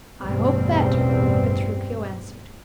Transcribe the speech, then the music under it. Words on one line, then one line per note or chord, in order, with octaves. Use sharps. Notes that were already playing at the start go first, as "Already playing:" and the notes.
"I hope, better," Petruchio answered.
A1 E2 G2 B2 G3 C4